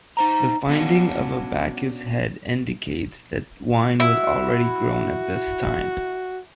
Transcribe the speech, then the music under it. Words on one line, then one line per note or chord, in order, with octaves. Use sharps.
The finding of a Bacchus-head indicates that wine was already grown at this time.
D#4 C5 A#5
B3 C#4 D4 F#4 F5
E4 F#4